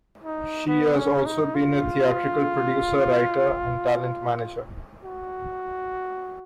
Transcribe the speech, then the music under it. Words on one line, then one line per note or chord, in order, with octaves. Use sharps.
She has also been a theatrical producer, writer and talent manager.
D#4
B3
C#4
D#4
F4
F#4